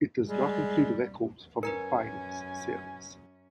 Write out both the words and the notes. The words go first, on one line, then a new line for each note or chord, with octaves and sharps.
It does not include records from the finals series.
G3 G#3
F#2 C#4 A#4 B4 G#5 A#5 C#7